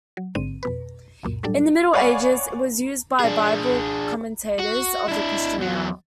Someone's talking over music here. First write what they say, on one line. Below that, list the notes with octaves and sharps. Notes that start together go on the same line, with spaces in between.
In the Middle Ages it was used by Bible commentators of the Christian era.
F#3
A1 G#2 D3 C4 D#7
F2 B2 B4
C#2 F#2 A#2
A2 F#3 G3 D4 A4
C#5 D5 F5 F#5 G#5 B5
D4 G#4
F#4
D4 E4
E2 F#3